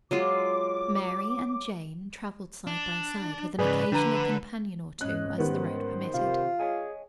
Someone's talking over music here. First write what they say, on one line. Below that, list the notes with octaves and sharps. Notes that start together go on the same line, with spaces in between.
Mary and Jane traveled side by side, with an occasional companion or two, as the road permitted.
F#3 G#3 F4 D6
D4
G#2 C#3 G#4 B4 D5
D3 F3 D4 A#5 D#7
G#2 C#4 D#5 F#6
D#3 G3 B3 C5
C3 F4 G4
G#4 C#5 D#5 G#5